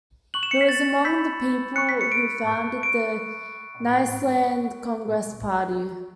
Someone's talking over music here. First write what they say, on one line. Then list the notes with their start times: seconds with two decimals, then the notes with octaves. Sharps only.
He was among the people who founded the Nyasaland Congress Party.
0.34 C#6 F#6 F#7
0.43 E7
0.51 C#7
0.61 B6
0.69 A6
1.04 B5 E6 G6 B6
1.76 C#6 F#6 C#7
1.89 B6
2.01 C#7
2.12 D7
2.47 C#6 F#6
2.83 D7